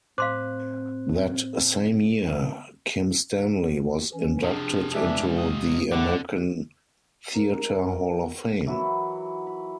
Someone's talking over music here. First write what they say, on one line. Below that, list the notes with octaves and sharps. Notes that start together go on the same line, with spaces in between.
That same year, Kim Stanley was inducted into the American Theatre Hall of Fame.
A2 C4 C5 F5 C6 D6 F#6
E3 C#4
C3 F3 D4 G#4
E3 G#3 D4 E5
D#6
A2 D3 F#5 D6
A#4
E3 F#3 E4 F#4
B5